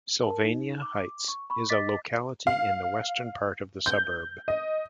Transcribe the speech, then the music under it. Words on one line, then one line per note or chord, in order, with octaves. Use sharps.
Sylvania Heights is a locality in the western part of the suburb.
A#4 A5
D#4
D6
C#6
B5 C#6
D#5 D6 A6 B6
F5
G6
D#5